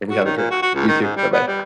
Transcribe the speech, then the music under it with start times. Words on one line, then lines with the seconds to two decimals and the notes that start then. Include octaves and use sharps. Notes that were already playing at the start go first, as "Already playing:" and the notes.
And you have a good You too, bye-bye.
0.10 F#4
0.25 D#3
0.37 A#2
0.51 F#4
0.62 F#4
0.74 C#2
0.88 D#3
1.01 G#2
1.17 G3
1.33 B3
1.48 G3